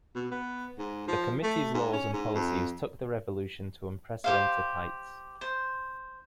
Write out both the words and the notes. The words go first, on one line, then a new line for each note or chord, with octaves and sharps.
The Committee's laws and policies took the revolution to unprecedented heights.
B2
B3
G#2
F3
A3
G#2
C#4
G#2
F2
G4 C5 F5
C5